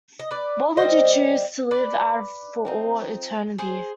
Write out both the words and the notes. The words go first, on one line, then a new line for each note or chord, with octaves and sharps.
What would you choose to live out for all eternity?
D#5
B4 D5
D#3 G3 C4 C5 D#5
B4 D5
F3 C4 D#4
G#4 C5